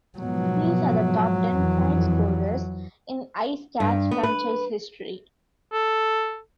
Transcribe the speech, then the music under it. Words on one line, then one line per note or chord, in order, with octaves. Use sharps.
These are the top ten point-scorers in IceCat's franchise history.
G#2 B2 F3 F#3
F2 E3
G2
B3
B4
A4